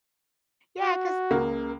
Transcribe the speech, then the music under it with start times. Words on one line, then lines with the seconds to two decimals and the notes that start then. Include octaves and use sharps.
Yeah, 'cause
0.81 F#4
1.30 C#2 C#3 A#3